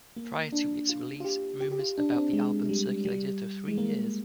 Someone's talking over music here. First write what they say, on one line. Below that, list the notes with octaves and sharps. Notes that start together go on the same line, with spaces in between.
Prior to its release, rumors about the album circulated for three years.
A#3
D4
F4
F4
G4
G4
G4
F4
D4
D4
C4
G#3
G3
G3
G#3
A#3